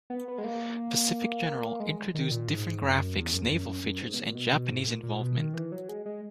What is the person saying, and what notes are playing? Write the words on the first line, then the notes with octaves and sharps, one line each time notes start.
"Pacific General" introduced different graphics, naval features, and Japanese involvement.
B3
B3
G#3
A#3
G#3
D#3
A#2
G#2
F#2
E2
F#2
E2
F#2
F#2
F#2
G#2
B2
A#2
B2
B2
G#2
A#2
A#2
B2
D#3
E3
F#3
G#3
G#3